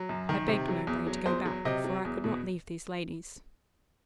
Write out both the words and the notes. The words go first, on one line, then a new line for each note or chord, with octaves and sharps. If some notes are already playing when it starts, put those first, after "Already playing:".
I begged Mowbray to go back, for I could not leave these ladies.
Already playing: F#3
F#2
D#3
C3
F#3
E2
F#3
E2 C5
F#3
C3 D#5
F#3
E2
B2